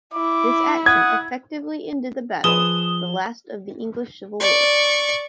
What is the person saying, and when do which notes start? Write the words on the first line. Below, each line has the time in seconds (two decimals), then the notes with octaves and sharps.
This action effectively ended the battle, the last of the English Civil War.
0.14 E4 D6
0.86 F#5 D#6 G#6
2.44 F3 G#4 B4 D#6 E7 G7
4.40 D5 C#6